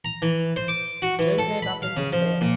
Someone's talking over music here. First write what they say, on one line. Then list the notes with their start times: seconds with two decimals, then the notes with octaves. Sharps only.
Joan gave up in despair.
0.05 A#5
0.22 E3
0.56 C5
0.68 D6
1.02 F#4
1.19 E3
1.38 A4
1.62 B5
1.82 F5
1.97 C#3
2.13 F3
2.41 A#2